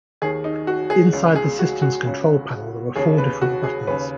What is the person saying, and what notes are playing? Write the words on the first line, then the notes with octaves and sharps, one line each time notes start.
Inside the systems control panel, there are four different buttons.
D#2 D#3 G#4
D#4
F#4
G#4
C#2 C#3
G#4
F#4
F#4
C#2 C#3
D#2 C#3 G#4
B4
F#4
G#4
D#2 C#3 B4